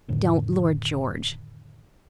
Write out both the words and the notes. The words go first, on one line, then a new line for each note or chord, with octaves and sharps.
"Don't, Lord George."
F2 A2 D3 D#3